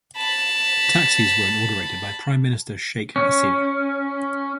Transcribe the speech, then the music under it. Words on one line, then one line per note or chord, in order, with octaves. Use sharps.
The taxis were inaugurated by Prime Minister Sheikh Hasina.
A5 B5
C#4